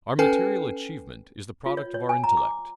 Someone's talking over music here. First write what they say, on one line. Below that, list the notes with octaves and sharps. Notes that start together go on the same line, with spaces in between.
Our material achievement is the product of our intellect.
C#4 A4 B4 G5 G#5 C7
F4
C#5
C#5
G#5
A#5
D6